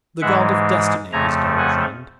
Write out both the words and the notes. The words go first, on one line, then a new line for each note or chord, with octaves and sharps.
The god of Destiny is Dorozhand.
G#2 E3 G#3 E5 F#5
F2 C#3 F3 A3 G#5 A#5
F#5 G#5